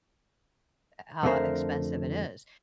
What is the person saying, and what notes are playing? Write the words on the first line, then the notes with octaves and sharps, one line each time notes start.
how expensive it is.
F2 D3 A3 D4 A#4 C5